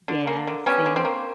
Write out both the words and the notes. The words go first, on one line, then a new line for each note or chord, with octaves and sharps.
Yeah, same.
D3
A#3
D3
G3 B3 C#4
D3
C4
A#3